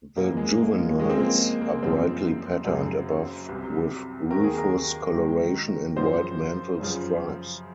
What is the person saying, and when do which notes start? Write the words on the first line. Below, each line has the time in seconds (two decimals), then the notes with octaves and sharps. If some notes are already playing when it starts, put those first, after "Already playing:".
The juveniles are brightly patterned above with rufous colouration and white mantle stripes.
0.17 F#2 C#3 F3 A#3
0.37 G#3
0.58 A#3
0.78 F4
0.99 C#2 C#3 F3 G#3
1.10 C4
1.20 A#3
1.61 A#3
1.83 F#2 C#3 F3 C4
2.65 F#2 C#3 F#3
3.49 C2 C3 F#3
4.30 D#2 D#3 F#3 A#4
4.44 G#4
4.58 A#4
5.14 G#2 D#3 F#3
5.97 F#2 C#3 F3 C5
6.80 F#2 C#3 F3